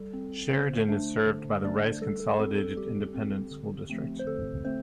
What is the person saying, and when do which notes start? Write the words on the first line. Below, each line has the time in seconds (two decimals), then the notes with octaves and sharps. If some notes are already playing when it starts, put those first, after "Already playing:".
Sheridan is served by the Rice Consolidated Independent School District.
Already playing: G3 A4
0.13 C4
0.51 D3 C5
0.88 A3 D4
1.26 D3
1.64 A3 D4 D5
2.01 G3 A4
2.20 A4
2.39 C4 A4
2.58 A4
2.76 G3 G4
3.14 C4
3.51 D3
3.90 F3 A3 C4
4.19 C5
4.27 D3 A4
4.65 A3 C4 C5